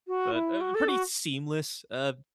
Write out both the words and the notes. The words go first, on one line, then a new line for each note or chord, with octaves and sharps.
But, um, pretty seamless, um,
F#4
E4
F#4
A4
F#4